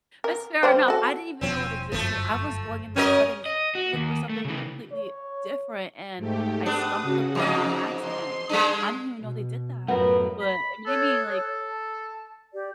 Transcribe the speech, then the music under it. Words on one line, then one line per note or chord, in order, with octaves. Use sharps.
That's fair enough. I didn't even know it existed. I was going in my settings to look for something completely different, and I stumbled upon it on accident. I didn't even know they did that, but it made me, like,
A#4
G3 G4 C5
F#4 A4
E1 F3 C4 C#4
G1 F#2 F3 A3
F#3 C#4 A#4 D#5
D#5
F#4
D#2
A3
C#3 E3
C#5
G#2 A3 G4
B3 D4 D#6
C#3 F#4
E2 G#2 D#5
C6
G3 G#3 D4
B2
F#2 A2 A3 B3 F4 A#4 F#5
B5
A4 C#5 D#6 F#6
A4
A5
G4 D5